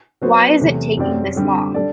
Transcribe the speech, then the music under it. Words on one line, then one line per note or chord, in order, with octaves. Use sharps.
Why is it taking this long?
F#3 B3 F#4 C5
E2 C3 F#3 A3
F#2 F#3 C4 G4 D5
D3 G3 C4 G4
G3 D4 A4 D5